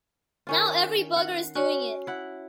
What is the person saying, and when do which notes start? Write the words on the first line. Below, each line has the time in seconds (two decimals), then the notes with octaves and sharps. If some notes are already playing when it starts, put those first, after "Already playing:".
Now every bugger's doing it.
0.47 D#3 C#4 F4
1.16 F#5
1.55 C#4 F#4 C#5
2.07 E4 F#5